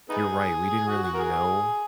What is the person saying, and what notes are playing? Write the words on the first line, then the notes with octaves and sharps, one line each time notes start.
you're right, we didn't really know
B3 D#4 G#4
F#4
F#4
A#4
G#4